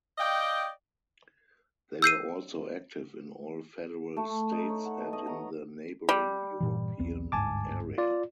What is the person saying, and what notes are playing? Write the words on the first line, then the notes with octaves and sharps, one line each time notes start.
They were also active in all federal states and in the neighboring European area.
D5 D#5 F5 G5
E6 G6 C7 D#7
A3
D#4
C#5
F#5
B2
D#5
A#5
G3
G2 A#2 E3
B1 E2 C4
G1 D2 G#2 G#5 A5 D6
F4 D5